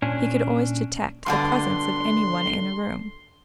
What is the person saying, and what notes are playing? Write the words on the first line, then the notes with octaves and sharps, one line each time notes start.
He could always detect the presence of any one in a room.
A#2 C#4 D4 G#5
G2 B2 D3 C6